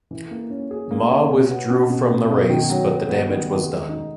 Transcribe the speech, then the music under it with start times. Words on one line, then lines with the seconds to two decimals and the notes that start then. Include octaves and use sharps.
Ma withdrew from the race, but the damage was done.
0.11 E3
0.31 A#3
0.50 C#4
0.71 G#4
0.91 A#3
1.11 C#4
1.30 B2
1.50 B3
1.70 B2
1.90 B2
2.10 B2
2.30 B2
2.49 D#3
2.70 F#3
2.90 B3
3.09 B3
3.29 D#3
3.49 D#3
3.69 G#3
3.89 D#4